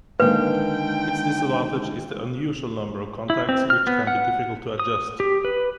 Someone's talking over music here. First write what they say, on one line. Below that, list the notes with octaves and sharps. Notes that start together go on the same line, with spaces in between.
Its disadvantage is the unusual number of contacts, which can be difficult to adjust.
D3 D#3 G#3 A#3 B4 F5 G5
E4
C4
F6
B3
F#5
D#6
G4
B4